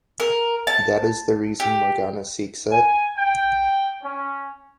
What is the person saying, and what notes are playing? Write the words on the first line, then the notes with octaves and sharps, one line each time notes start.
That is the reason Morgana seeks it.
A#4
A5
G4
G#5
G5
C#4